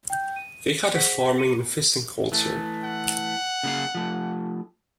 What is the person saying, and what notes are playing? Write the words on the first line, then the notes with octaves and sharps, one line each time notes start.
They had a farming and fishing culture.
G5 G6
D#7
G#4 C5 F#5 B6
C#7 D#7
E3 A3
F#5
C#3 A#3 F5
F3 A3